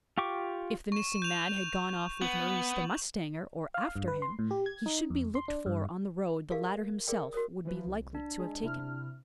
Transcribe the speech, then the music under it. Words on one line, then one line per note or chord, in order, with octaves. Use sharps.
If the missing man had gone off with Maurice the mustanger, or after him, he should be looked for on the road the latter himself would be likely to have taken.
F4 G4 C#6 D6
C#6 E7
G6 F7
B3 F#7
F5
G2
B4
C6
A2
G4
G#6
D#4
F2
C6
D4
G2
G4 G#4 A#4 D5 E5 F5
G#4 A#4 D5 E5 G5
F#4 A#4 C#5 D#6
E3 F3 B4
C2
D4
G#3 G#4
C3 E4 F6